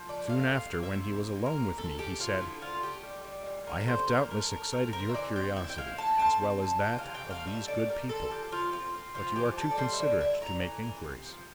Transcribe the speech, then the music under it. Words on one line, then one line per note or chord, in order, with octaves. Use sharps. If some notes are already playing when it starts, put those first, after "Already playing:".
Soon after, when he was alone with me, he said, "I have, doubtless, excited your curiosity, as well as that of these good people; but you are too considerate to make inquiries."
Already playing: F3
A3 D5
A#2 F5
C3 F5
A#3
E5
C3
E4
A#2
A#4
A#2
E4 A4
A3 G4
F3 F4
D3 E4
D3 F4
A3 G4
G3
G3
A#2
D3 A#4
G3 C5
A#3 A#4
A3 A#4
A3 A#4
C4 A#4
C4 A#4
E5
E3 D5
C4 G5
E4 E5
G5
E4 F5
A3 A5
C4 A5
C4
A#2 A5
E3 G5
F5
C3
G5
A3
F5
G3 E5
A2 D5
G3 A#4
C4 A4
F3 G4
F3 F4
C4 F4
C4
F3 F4
E3 G4
G3 A4
D5
G3 C5
E5
D3 D5
E4 E5
A3 A#5
E3
E3
C3
F3